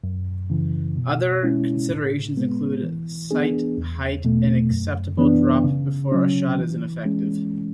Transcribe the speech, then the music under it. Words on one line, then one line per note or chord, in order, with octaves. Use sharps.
Other considerations include sight height and acceptable drop before a shot is ineffective.
F#2
C#3 E3
B2
G#3 C#4 E4
A2
G#3 B3
E3
B3 D4 G#4
E2
B2 A3
F#2
E3 B3 D4
C#3
F#3 C#4
E3
G#3 C#4